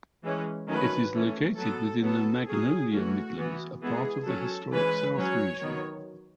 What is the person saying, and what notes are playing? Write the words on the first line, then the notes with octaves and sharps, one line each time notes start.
It is located within the Magnolia Midlands, a part of the Historic South region.
E3 G#3 C#4
D#3 F#3 A3 C#4 B4
E3 A3 C#4
F#3 B3 A4
F#3 B3 A4
F#3 C#4 G#4
E3 A3 C#4 F#4
E3 B3
E3 G#3 B3 G#4
F#3 C#4 A4
E3 G#3 C#4 B4
F#3 C#4 C#5
D#3 F#3 B3